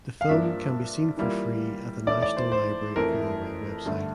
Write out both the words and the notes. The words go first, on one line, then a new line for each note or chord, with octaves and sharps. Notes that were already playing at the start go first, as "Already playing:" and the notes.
The film can be seen for free at the National Library of Norway website.
F5
G2 F3 A#3 D4 E5
E3 G3 A#3 F4
E3 A3 E4 D5
D5
C5
C5
F2 E3 A3 A#4
G2 D3 A3